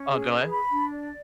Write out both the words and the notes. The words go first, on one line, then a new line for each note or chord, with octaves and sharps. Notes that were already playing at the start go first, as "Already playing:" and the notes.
Oh, go ahead.
Already playing: C#4
G#4
B4
B5
D4
D5